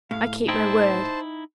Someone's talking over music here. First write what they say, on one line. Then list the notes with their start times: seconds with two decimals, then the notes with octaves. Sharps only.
I keep my word.
0.11 A2 F5
0.48 D#4 E4 C5 G5 A5